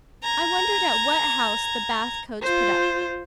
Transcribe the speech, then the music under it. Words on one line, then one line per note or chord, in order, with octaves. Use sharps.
'I wondered at what house the Bath coach put up.
A#5 G#6
F4 C5